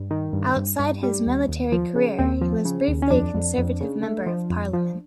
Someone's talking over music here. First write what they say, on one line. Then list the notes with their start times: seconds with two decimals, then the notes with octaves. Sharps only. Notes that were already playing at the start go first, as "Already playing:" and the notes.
Outside his military career he was briefly a Conservative Member of Parliament.
Already playing: G2
0.11 D#3
0.33 G2
0.56 G2
0.79 G2
1.03 G3
1.26 D#2
1.48 D#2
1.72 F3
1.95 C#3
2.19 D#2 C4
2.41 F3
2.65 C#3
2.88 D#2
3.02 C#4
3.11 F2 D4
3.35 F2
3.58 F2
3.81 C#3
4.03 A3
4.26 F3
4.50 F2
4.73 F3